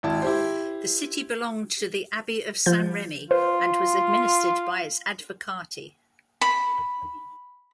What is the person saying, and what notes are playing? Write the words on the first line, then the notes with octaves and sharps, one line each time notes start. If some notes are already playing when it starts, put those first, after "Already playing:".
The city belonged to the Abbey of Saint-Remi and was administered by its advocati.
G#1 E4 A5
E4 G4 C5
F3 G6 A6
F4 B4 C5
B5